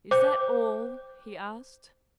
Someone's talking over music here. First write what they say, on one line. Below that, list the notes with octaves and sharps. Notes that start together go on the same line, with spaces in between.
"Is that all?" he asked.
C5 G5 D6 G6